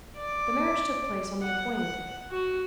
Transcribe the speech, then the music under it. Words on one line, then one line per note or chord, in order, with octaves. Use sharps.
The marriage took place on the appointed day.
D5
F#5
F#4